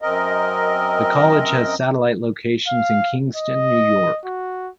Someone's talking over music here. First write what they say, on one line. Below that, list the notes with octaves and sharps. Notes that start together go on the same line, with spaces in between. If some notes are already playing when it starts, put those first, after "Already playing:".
The college has satellite locations in Kingston, New York.
F#2 C4 A#4 D#5
F5
D#5
F#4